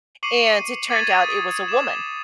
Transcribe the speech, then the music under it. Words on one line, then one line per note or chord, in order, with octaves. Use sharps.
and it turned out it was a woman.
C#6 D6 C7 C#7 D#7 F#7
D6 G#6 A6 B6 D#7 F#7
D#6
D6 E7